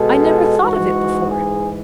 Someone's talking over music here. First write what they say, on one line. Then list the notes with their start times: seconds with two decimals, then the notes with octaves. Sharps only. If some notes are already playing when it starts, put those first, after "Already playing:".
I never thought of it before.
Already playing: B2 G#3 A4
0.59 G#2 E3 G#3 F#4
1.30 G#4